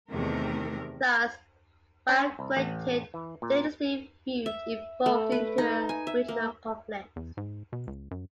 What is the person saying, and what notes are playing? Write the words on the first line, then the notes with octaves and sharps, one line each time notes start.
Thus, a Bagratid dynastic feud evolved into a regional conflict.
E2 C3 D#3 A3 A#4
C#4
C2
A1
E3
A#2
E5
A3
B4
D#4
G#5
E5
A#3
E2
G#2
B2
C#2
F#2